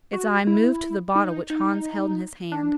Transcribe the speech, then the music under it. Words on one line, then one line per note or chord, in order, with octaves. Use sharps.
Its eye moved to the bottle which Hans held in his hand.
F#4
E4
D#4
D#4
D4